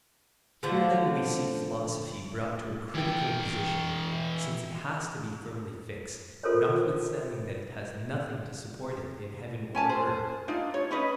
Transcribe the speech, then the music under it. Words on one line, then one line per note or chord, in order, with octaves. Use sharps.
Here then we see philosophy brought to a critical position, since it has to be firmly fixed, notwithstanding that it has nothing to support it in heaven or earth.
D3 F3 A3
E3 G5
F4 A4 A#4 C5 C#5
C#4 G#5 A5
C5
D4 D#4 F4
C#5
C#4 D#4 B4 D#5